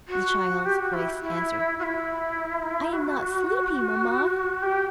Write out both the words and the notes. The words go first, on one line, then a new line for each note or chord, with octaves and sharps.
The child's voice answered, "I am not sleepy, mamma."
F#4
G4
F#4
E4
E4
F#4
E4
F#4
G4